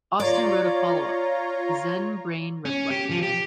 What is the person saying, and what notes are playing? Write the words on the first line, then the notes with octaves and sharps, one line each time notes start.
Austin wrote a follow-up, "Zen-Brain Reflections".
F4 C#5 D5 A#5
C#4
G4
F3
G4